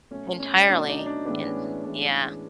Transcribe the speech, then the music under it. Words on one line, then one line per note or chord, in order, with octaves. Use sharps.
entirely. And yeah.
B2 F#3 A3 C#4
C#4
B2 F#3 A3 D4
D#4
D4
A2 E3 G#3 B3 D4
C#4
D4
A2 E3 G#3 B3 D4